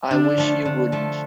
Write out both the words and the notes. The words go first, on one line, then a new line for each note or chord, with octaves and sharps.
I wish you wouldn't.
D3 D4
F3 A3
D3
F3 A3